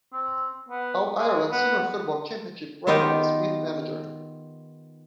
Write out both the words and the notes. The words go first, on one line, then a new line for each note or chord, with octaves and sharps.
All-Ireland Senior Football Championship record as Meath manager.
C4
B3
G#3
B3
D#3 B3 D#4 F4 G4